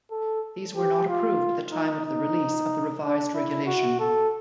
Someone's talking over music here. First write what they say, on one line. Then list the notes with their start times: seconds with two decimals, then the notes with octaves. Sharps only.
These were not approved at the time of the release of the revised regulation.
0.11 A4
0.76 G4
1.08 F4
1.72 D#4
2.05 D#4
3.01 D4
3.34 E4
3.66 F#4
3.99 A4